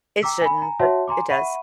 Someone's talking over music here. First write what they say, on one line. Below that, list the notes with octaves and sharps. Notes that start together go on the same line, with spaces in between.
It shouldn't, but it does.
G5 A#5 D6 E6 B6 C7
G#5 B5
G#5 A#5
F#4 C#5 E5 F#5 A5 C6
G#5 A#5 C6 D6
E5 F#5 B5 C#6 D#7